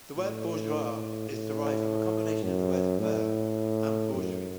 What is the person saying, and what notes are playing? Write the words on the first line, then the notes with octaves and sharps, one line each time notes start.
The word "beurgeois" is derived from a combination of the words "beur" and "bourgeois".
A2
A2
F#2
A2
F#2